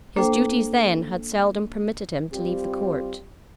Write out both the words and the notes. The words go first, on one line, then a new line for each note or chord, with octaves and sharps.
His duties, then, had seldom permitted him to leave the court.
A#3 D4 A4 C5 G5
G3 C4 F4 G4